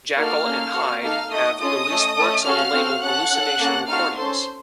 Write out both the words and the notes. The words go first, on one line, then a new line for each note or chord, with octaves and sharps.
Jackal and Hyde have released works on the label Hallucination Recordings.
A#3 D#4 F#4 A4 F5 F6
A#3 C#4 A4
C4 F#4 A4
A#3 D#4 A4 F5 F6
A3 D#4 F#4 D#5 D#6
C#4 F4 A4 D#5 D#6
A3 C#4 A4
A3 C#4 A4
C#4 F#4 A4 F5 F6
C4 F#4 A4
C#4 A4 F#5 F#6
C#4 A4
A#3 C#4 A4
C4 D#4 F#4 A4 F5 F6
C#4 A4 C5 C6